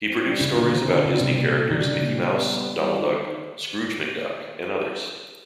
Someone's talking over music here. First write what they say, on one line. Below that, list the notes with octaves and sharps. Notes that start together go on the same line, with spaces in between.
He produced stories about Disney characters Mickey Mouse, Donald Duck, Scrooge McDuck and others.
C4
G3
C#3 E4
A#2 D3
D#3 C4
D3 B3
C#3 D4
C3 G3
A#2
A#2
D#3 G3
D3
C#3 D4
A#2
G3
B3
G3
B3
G3
D#3